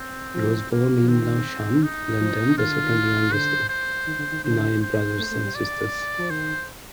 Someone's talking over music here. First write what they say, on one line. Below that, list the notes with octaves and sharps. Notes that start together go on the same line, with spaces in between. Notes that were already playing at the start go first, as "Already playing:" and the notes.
He was born in Lewisham, London, the second youngest of nine brothers and sisters.
Already playing: C4
F3
A#3
F3
D#3 C4
D#4
F3
D#3 F4
D3
D#3
D3 C5
C5
D#3
D3
D#3
D3 C5
C5
A3
A3
G3
D5
F3
D#3 C5